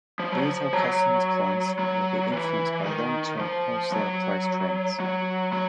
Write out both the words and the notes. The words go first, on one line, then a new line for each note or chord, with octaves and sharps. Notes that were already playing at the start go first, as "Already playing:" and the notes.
Retail customers' price will be influenced by long-term wholesale price trends.
F3
F#3
F3
F#3
F#3
E3
D#3
F3
F#3
F#3
F#3